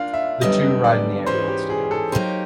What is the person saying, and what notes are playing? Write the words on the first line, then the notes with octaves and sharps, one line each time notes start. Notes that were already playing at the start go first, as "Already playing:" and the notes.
The two ride in the ambulance together.
Already playing: A#3 D4 F4 F5
E5
F#2 D3 G3 B3 D#5
D5
G#2 E3 G#3 C#4 F#4 C5
G4
G#4
A4
F#3 A#3 D#4 G4 C5